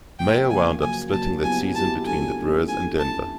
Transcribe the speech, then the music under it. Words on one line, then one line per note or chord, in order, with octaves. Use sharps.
Meyer wound up splitting that season between the Brewers and Denver.
C#3 F3 A#3 G5
C#3 F3 A#3 G#5
C#3 F#3 A#3 G#5
C#3 F#3 A#3 A5
F#3 B3 E4 G4 G#5
F#3 B3 E4 G4 A5
F#3 A3 D4 F4 A4 G#5
F#3 A3 D4 F4 A4
A3 C#4 E4 G#5
A3 C#4 E4 A5